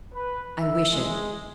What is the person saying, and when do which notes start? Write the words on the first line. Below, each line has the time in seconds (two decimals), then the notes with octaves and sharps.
"I wish it."
0.14 B4
0.60 E5
0.92 G#3